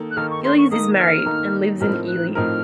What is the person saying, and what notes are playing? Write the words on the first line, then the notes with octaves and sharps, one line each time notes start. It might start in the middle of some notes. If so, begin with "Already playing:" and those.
Gillies is married and lives in Ely.
Already playing: D#3 A#3 D#4 A4
F#6
D#3 A#3 D#4 A4 F6
C#6
C6
C#6
D#3 A#3 D#4 A4 D#6
F6
D#3 A#3 D#4 A4
A2 F3 C4 D#4 A#4 F6
F#6
A2 F3 C4 D#4 A#4 F6